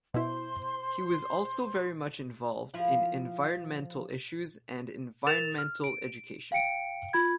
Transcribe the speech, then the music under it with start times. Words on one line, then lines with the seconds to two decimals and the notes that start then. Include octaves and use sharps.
He was also very much involved in environmental issues and environmental education.
0.14 B2 E4 C5 C6
2.74 F3 E4 F4
5.27 A#4 A6 E7 F7
5.58 F6
5.84 D7
6.52 F5 G5 C#7 D7
7.13 F4 B5 G#6